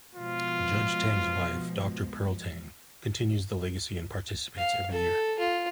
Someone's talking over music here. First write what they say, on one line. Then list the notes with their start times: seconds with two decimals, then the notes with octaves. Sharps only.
Judge Tang's wife, Doctor Pearl Tang, continues the legacy and participates every year.
0.15 B2 F3 G#3 F4
4.57 F5
4.91 A4
5.39 F4